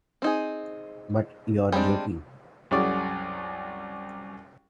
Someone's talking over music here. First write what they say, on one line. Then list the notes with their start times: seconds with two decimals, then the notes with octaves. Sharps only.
But you’re joking!
0.22 C4 D#4 G#4
1.72 G3 G#3 C4 D4
2.71 C2 F#2 C#4 F#4 G#4 D5